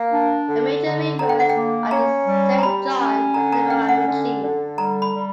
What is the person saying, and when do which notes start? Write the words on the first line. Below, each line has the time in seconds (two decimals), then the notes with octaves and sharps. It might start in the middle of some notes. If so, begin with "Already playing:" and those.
The major rivers are the Saint John and the Miramichi.
Already playing: A#3
0.12 D4
0.48 D3
0.84 D3
1.19 D3 A#5
1.29 G5
1.40 F#5
1.50 G5
1.55 A#3
1.91 C#4 A#5
2.26 G3
2.58 A#5
2.63 G3 B5
2.99 C#4
3.34 D3 A#5
3.52 A#5
3.70 C#4 G5
3.89 F#5
4.06 D3
4.42 D3
4.78 G3 A#5
5.02 B5
5.13 G3